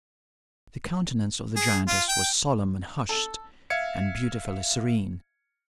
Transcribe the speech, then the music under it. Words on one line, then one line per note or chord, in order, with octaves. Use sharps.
The countenance of the giantess was solemn and hushed, and beautifully serene.
G#4
F4
G5
A4
E5 F5 G#6 C#7